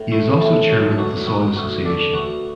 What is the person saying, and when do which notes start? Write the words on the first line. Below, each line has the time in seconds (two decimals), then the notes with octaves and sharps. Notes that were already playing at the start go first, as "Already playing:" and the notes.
He is also chairman of the Soil Association.
Already playing: A2
0.11 A3 E4
0.40 A2 E4 A4
0.69 F#3
0.91 A4
0.98 D2 F#4 B4
1.27 B3 F#4 B4
1.56 D2 F#4 B4
1.85 D3 A4 D5
2.13 D2 F#4 B4